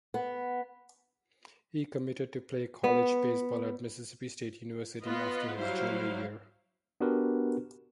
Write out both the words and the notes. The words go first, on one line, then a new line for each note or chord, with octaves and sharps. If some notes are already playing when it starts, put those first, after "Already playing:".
He committed to play college baseball at Mississippi State University after his junior year.
B3
B3
B3 F4 B4 D#5
F#3 G3 E4 C5 F5
B3 D4 F#4 G4 A#4 B4